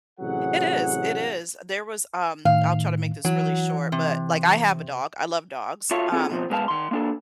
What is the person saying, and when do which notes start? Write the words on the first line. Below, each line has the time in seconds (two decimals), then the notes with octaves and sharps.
It is, it is, there was, um, I'll try to make this really short but, like, I have a dog, I love dogs, um,
0.20 A1 C3 F#3 G#4 F#5
2.45 A2 D#3 F5
3.25 E3 F#3
3.92 C3
5.91 F4 F#4 A4 C#5 E5 F5
6.12 B3 C4 F4 G#4 A4
6.29 B2 F3 C4
6.50 B2 G#3 B4 F5 A5
6.68 D#3 C6
6.91 A#3 D4 A4